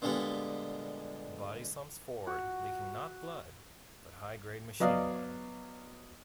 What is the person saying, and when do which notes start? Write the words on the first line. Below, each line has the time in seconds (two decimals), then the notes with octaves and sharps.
The body slumps forward leaking not blood, but high-grade machine oil.
0.02 A#2 D3 G3 G#3 B3
2.27 F#4
4.80 F#3 B3 D5 D#5 F5